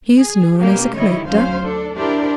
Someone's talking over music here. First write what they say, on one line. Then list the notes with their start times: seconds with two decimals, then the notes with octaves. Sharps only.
"He is known as a collector?"
0.19 G#4
0.59 B2 A#3 C#4 G4
0.97 D3 D#3 G3 E4 C#5 D#5
1.28 D2 F#3 C#4 C5 F5
1.63 D4 A4
1.95 D4 E4 G4 A#4 C5 D5